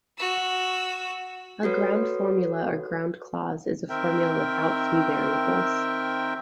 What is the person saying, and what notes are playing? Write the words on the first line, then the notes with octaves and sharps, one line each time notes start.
A ground formula or ground clause is a formula without free variables.
F#4 E6
F#4 A4 B4 C#5
D#3 C4 A#4 E5 G5